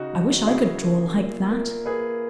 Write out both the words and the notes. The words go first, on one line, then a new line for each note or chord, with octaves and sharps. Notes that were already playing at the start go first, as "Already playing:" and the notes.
I wish I could draw like that.
Already playing: C#3 D#4 F#4
F#3
F#4
C#3 E4 G#4
A#3
A#2
A#3
A#3 G#4 B4